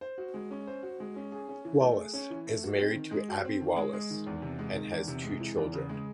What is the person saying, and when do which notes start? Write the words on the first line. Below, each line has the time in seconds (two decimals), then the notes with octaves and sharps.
Wallis is married to Abbi Wallis and has two children.
0.01 C5
0.18 F#4
0.34 G#3
0.51 C#4
0.67 C5
0.83 F#4
1.00 G#3
1.16 C#4
1.32 G#4
1.49 C#4
1.65 E3
1.81 A3
1.98 G#4
2.13 C#4
2.30 E3
2.47 A3
2.63 F#4
2.79 C4
2.95 D#3
3.11 G#3
3.28 F#4
3.45 C4
3.61 D#3
3.76 G#3
3.93 G#3
4.10 D#3
4.27 E2
4.42 C3
4.59 G#3
4.74 D#3
4.92 E2
5.08 C3
5.24 G#3
5.40 E3
5.57 E2
5.72 C#3
5.89 G#3